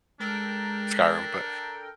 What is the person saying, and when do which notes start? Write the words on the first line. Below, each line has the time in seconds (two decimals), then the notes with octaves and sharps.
Skyrim, but,
0.20 G#3 D4 A4 A#4 G5